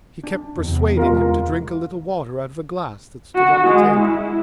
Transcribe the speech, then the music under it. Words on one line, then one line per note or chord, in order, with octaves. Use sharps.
He kept persuading him to drink a little water out of a glass that stood on the table.
D4
E2 C3
G#3 F4 A#4
F#4
G#3
E4